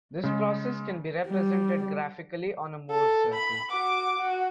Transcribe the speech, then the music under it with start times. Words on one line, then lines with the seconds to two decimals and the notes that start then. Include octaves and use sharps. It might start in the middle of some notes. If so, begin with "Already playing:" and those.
This process can be represented graphically on a Mohr's circle.
0.23 C#3 G#3
1.28 G3
2.90 A4
3.34 B5
3.71 F#4 D6
4.19 F#4